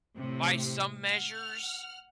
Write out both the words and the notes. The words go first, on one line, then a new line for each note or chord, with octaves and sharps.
by some measures,
A2 C3
F#5 F6